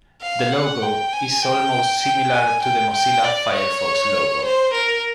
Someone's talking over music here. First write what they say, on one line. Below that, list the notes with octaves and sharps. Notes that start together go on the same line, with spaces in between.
The logo is almost similar to the Mozilla Firefox logo.
F5
F#5
G5
G#5
G5
G5
G#5
G5
G5
D5
C#5
C5
A#4